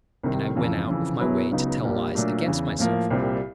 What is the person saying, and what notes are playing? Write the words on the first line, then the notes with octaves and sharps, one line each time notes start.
And I went out of my way to tell lies against myself....
C2 C3 D#3 G3
F2 C#3 E3
F2 C#3 E3
B2 F#3 B3 E4 G#4
C#2 C#3 F#3 B3 D#4
A#1 A#2 G3
A#2 F#3 A3 D4
E2 C#3 E3
A2 F3 A#3
C2 A#2 G3 C4